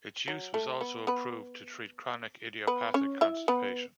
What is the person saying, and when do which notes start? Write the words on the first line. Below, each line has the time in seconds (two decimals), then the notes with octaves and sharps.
Its use was also approved to treat chronic idiopathic constipation.
0.28 F#3
0.54 A3
0.81 B3
1.07 B3 B4
2.67 B3 B4
2.94 C#4 C#5
3.21 E4 E5
3.48 B3 B4